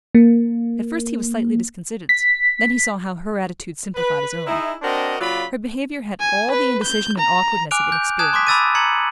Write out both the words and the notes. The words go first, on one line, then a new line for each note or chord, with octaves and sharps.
At first he was slightly disconcerted; then he saw how her attitude simplified his own. Her behaviour had all the indecision and awkwardness of inexperience.
A#3
B6
B4
D#4 E4 G#4
C4 D4 F#4 A#4 C5 D#5
A#2 C#3 F#3 F4 D5 B5
G#5
B4
G6
A#5
G#5 D6 F6 F#6 D7 F7
G6
A5 D#6 F#6 G#6 E7
C6 D6 D#6 B6
B5 D6 E6 A6 B6 D#7
A#5 G#6 C#7 F#7